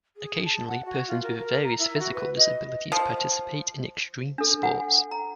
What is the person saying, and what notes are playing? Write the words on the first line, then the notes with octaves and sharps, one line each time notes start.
Occasionally persons with various physical disabilities participate in extreme sports.
G#4
A5
F#5
F#4
F4
A#4
A#4
A#5
E4
F#4
B4
D#5
F3
D4 A4
F#5 G#5
A#5